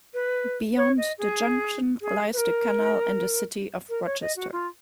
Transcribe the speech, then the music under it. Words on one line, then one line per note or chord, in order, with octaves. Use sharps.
Beyond the junction lies the canal and the city of Rochester.
B4
C#5
D#5
G#4
G#4
B4
A#4
A#4
C#5
D#5
F#4
F4